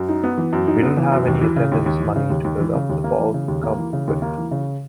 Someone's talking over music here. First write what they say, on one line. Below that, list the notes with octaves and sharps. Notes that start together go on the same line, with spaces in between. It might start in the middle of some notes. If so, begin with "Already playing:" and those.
We didn't have any attendance money to build up the ball cub with.
Already playing: F#2
D#4
B3
E3
F#2
D#4
B3
E3
F#2
D#2
E3
C#3
D#2
D#2
E3
C#3
D#2
D#2
E3
C#3
D#2
A#3
E3
C#3
D#2
A#3
E3
C#3
D#2
A#3
E3
C#3